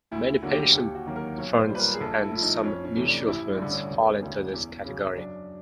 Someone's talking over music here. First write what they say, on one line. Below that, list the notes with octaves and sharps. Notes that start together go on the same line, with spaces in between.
Many pension funds, and some mutual funds, fall into this category.
D2 E4
D3 F#3 A#3 F#4
G4
F#4
D#2 G4
F#4
D#3 F#3 A#3
A#4
B1 C#5
C5
A#2 G3
B4
A#4
G#4
A#1 A4
E4
A2 F3
D#4
F2 C#4
C#4
C3 E3 A3
D4
A1 E4
D4
G2 D3
C#4
E1
D2 D3
E2
C#3 F#3
F#2 D4